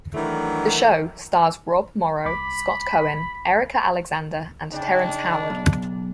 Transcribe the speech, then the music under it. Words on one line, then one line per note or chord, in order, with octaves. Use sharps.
The show stars Rob Morrow, Scott Cohen, Erica Alexander and Terrence Howard.
D#3 E3 F#3 A3 D4
C2 B5 D6
C#3 D4 D#4 G5
B1